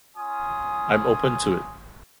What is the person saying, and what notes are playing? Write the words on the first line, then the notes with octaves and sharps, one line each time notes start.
I'm open to it.
C#4 F4 G#5 D#6